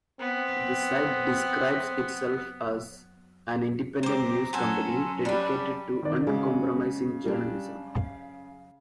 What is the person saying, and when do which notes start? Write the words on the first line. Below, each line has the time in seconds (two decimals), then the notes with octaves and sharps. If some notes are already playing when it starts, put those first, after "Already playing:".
The site describes itself as "an independent news company dedicated to uncompromising journalism".
0.20 B3 C4
4.03 G#3 C4 G4 C5 A#5 D6
4.53 F#3 C#4 F#4 A4 G#5 C6
5.25 G3 D4 B4 D5
6.03 D#3 D5
6.27 C#3 G#3 F#4
7.25 G3 D4
7.96 F5